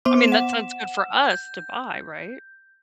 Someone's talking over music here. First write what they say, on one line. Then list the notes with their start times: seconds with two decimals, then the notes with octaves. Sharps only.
I mean, that sounds good for us to buy, right?
0.05 B3 C5 C6 D6
0.28 F#5 E7
1.30 G6